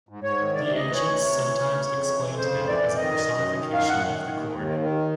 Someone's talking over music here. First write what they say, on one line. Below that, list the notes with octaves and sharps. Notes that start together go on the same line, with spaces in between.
The ancients sometimes explained him as a personification of the corn.
G#2
G#2 C#5
D#3
C3 D5
D2
D#5
E3
C#5
D2
C3
D2
E3
D2
C#3
F2
E3
F2
C#3 C5
F2
E3 D5
F2
D#3 D#5
F#2
F#2
D#3
D#3
F#2 F5
F#2 F#5
D#3
D#3
D#2
D#2
D#3
D#3